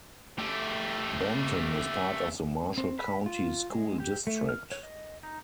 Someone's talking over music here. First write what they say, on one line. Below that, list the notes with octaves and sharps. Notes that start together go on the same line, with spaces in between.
Benton is part of the Marshall County School District.
A3 G4
C4
B5
F4
G#3
G4
A3
F6
C#5
D#5
D#4